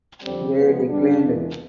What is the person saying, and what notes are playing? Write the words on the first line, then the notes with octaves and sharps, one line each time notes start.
They declined.
F2 D3 G3 C4
C#3 F3 G#3 B3
G2 D3 G3 D4
E2 C3 E3 G#3